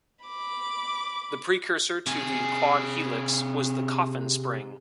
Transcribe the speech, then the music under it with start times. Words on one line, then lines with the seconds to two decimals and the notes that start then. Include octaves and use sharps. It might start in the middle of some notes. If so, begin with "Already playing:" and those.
The precursor to the quad-helix was the coffin spring.
0.25 B5 D6
2.06 C3 G#4